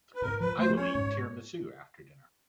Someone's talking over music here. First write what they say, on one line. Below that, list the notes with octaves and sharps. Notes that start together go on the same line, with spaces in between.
I will eat tiramisu after dinner.
B4
G#2 A#4
F3 B4
A3 C5
C#4 C#5
G#2